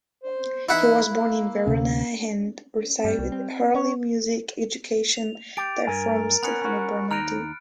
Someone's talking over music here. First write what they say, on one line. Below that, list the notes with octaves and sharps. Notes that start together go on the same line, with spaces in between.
He was born in Verona and received early music education there from Stefano Bernardi.
C5
E3 D#4 E4 D#5 F#5
A#3
D2 C3 C#4
G2 G3
C2
C4
C#4 C#5
F7
G4 A6 D7
G2 A#4 G#5
B3 C#4 B5 F#6 C#7
C#4 F#4
D#2 D#4 A#5 F6 F#6 D7